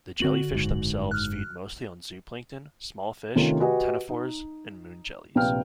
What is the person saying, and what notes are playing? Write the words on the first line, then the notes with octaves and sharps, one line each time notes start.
The jellyfish themselves feed mostly on zooplankton, small fish, ctenophores, and moon jellies.
D3 B3 C4 F#4 F#7
F#1 G#2
F6 F#6
C3 D#3 A3 C#4 F4 A#4
F#4 G4 B4 D#5 F#5 G#5
D#4
A#1 C3 B4 F5 G5 F6